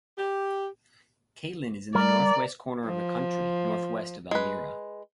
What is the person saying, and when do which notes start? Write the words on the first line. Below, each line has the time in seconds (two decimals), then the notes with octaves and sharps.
Catlin is in the northwest corner of the county, northwest of Elmira.
0.17 G4
1.95 G3 A#4 D5
2.85 F3
4.31 G#3 B4